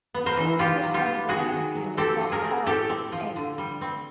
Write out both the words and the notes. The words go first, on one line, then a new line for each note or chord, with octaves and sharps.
The girl slips on a banana peel and drops all of the eggs.
B3
A#4 C5
E3
D#3 F4 G4
F#3
F4 G4
B3
D#3 F#4 G#4
D#3
F#3
C4 G4 A4
F3
G#4 A#4
A3
A2 G4 A4
C4
F3
D3
G3
C4